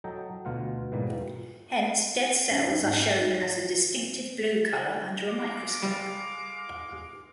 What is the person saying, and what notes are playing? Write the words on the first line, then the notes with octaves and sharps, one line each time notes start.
Hence, dead cells are shown as a distinctive blue colour under a microscope.
F#3 A4 D#5 G5 A#5
D2 B2 F4 F5 F#5
G#2 B2 E3 G3 A#3
C#4
D#4
G#2
C#5
G#3 F5 D6
G3